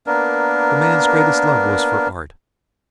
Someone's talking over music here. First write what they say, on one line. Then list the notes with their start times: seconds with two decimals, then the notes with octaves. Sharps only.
The man's greatest love was for art.
0.07 A#3 B3 D4 A#4